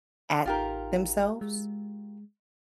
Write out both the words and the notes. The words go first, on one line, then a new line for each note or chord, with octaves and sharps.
at themselves,
A1 D#4 F4 G4 A#4
G#3